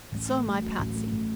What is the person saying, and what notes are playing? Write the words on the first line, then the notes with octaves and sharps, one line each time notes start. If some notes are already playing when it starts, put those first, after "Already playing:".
"And so am I, Patsy."
A1
A3
A2
F#3
A1
A3
A2